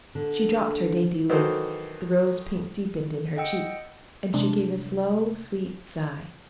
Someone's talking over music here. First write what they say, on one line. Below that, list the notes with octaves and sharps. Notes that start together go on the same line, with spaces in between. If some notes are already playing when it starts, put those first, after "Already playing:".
She dropped her dainty lids, the rose pink deepened in her cheeks, and she gave a slow, sweet sigh.
D3
D#3 E3 F#3 A4 C5
D#5 F#5 G5 E6 C#7
C3 G#3 D4